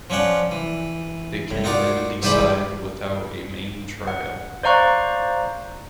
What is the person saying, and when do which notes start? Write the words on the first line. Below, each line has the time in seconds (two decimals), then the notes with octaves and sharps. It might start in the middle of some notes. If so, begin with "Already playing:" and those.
It can then decide without a main trial.
0.10 F3 C#4 D4 F#5 G5
0.51 E3
1.51 A2
1.64 D#4 F4 F#4 A#4 D5
2.22 G#2 E3 G4 C5 D5 B5
4.07 F#5
4.63 C5 D5 F5 A#5 C#6 F#6